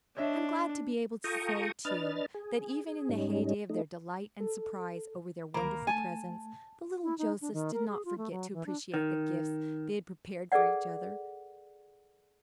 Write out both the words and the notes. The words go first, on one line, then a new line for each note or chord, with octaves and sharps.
I'm glad to be able to say, too, that even in the heyday of their delight and surprise over their wonderful presents, the little Josephs did not forget to appreciate the gifts they had prepared for each other.
D4 C#5 D#5 E5
F4 A4 G5 A#5 C#6 D#6
D4 B4 D#5 F6 A6
G#4
G#4
G#2 G3 C#4 D#4
A3 D#4
A4
D2 D#3 A#3 A#4 B5
A3 G#5 A5
E4
D#4
D4
D#3
A#4
G#4
F4
A3
F#3
E3
D4
D#3
G#4 A4 B4 D5 F#5